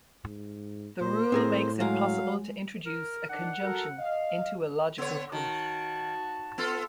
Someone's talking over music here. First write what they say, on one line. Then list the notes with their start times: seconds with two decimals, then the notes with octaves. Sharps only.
The rule makes it possible to introduce a conjunction into a logical proof.
0.25 G#2
1.00 A#2 C5
1.32 A2 C4 G#4 A#4
1.80 F#3 G#3 F5 A#5
2.86 A#4
3.29 D#3 D4 F#5
3.62 F#4 A4 A#4
3.98 D#5 F5
4.98 D3 B3 C#5
5.32 D#3 F#4 A5
6.58 B3 F4 A4